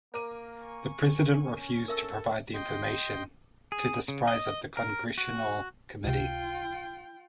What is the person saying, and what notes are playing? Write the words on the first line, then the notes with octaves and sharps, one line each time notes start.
The president refused to provide the information, to the surprise of the Congressional committee.
A#3 A#4 D6 D#7
G#5 C#6
C#4
A4 A#4 E5 E6
D#5 G5 C6
G#4
C#3
D#5
A#4
F#4
C#2 C3 F4 G5